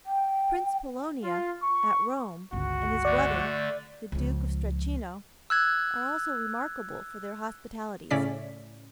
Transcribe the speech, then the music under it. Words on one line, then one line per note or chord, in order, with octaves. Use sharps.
Prince Polonia, at Rome, and his brother, the Duke of Strachino, are also remarkable for their hospitalities.
G5
F4
C#6
G1 C#2 F#4
D3 A3 D5
C#2 F3
E6 F#6 G#6
A2 C#3 C#4 D5 E5 B6